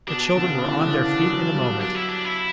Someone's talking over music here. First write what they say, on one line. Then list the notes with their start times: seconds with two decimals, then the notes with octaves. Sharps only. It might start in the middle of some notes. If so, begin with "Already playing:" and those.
The children were on their feet in a moment.
0.07 B2 D4
0.36 D3
0.43 C#3
0.51 B2
0.58 C#3
0.65 E3
0.72 D3
0.80 C#3
0.86 D3
0.94 E3
1.23 F#3
1.53 G3
1.81 F#3 D4
1.95 E4
2.08 D4
2.25 E4